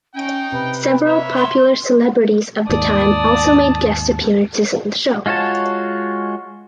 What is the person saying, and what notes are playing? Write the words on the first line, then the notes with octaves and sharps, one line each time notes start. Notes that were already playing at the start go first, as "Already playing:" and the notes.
Several popular celebrities of the time also made guest appearances on the show.
C#4 D#4 G5
C3 B4
A#3 C#5 E5
C6
D#2 G#2 D5 A5 D#6
G#3 F4 F#4 C#5 A5